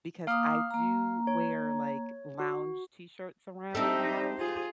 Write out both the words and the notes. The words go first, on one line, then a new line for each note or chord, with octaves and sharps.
because I do wear, like, lounge t-shirts around the house,
A#3 F5 D6 D#6 F6
A#3 A#5
C#5
F#4
C4 D4 D#4 G4 A4 C5 E5
F4 G#4